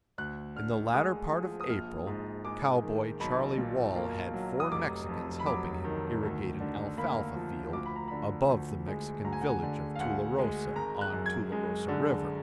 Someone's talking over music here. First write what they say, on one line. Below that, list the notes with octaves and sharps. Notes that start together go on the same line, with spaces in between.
In the latter part of April, Cowboy Charlie Wall had four Mexicans helping him irrigate an alfalfa field, above the Mexican village of Tularosa, on Tularosa river.
D2 F#6
D3 F6
G#3 D#6
F3
D#6
A#1 F6
G#2
G#3 D6
D#3
B1 B5
A#2
A#3
F#3
D#6
F1 D6
F2
B5
F#3 D6
D#3
D2
D3
A#3 B5
F3
D2 D6
B5
A#5
D3 B5
D2
G#3
D2 A#5
G#5
F#5
G#5
D3
F5
D2 F#5
G#3
G#1 A#5
F#6
F#2
G#6
G#3
D3